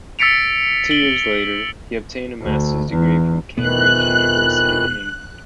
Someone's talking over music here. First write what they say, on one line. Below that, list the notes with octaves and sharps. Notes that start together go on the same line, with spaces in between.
Two years later, he obtained a Master's degree from Cambridge University in England.
E6 A6 B6 C#7 D7 F7
D7 F#7 G7
D2
E2
E1 F2 B2 D#3 E3 B3 F#6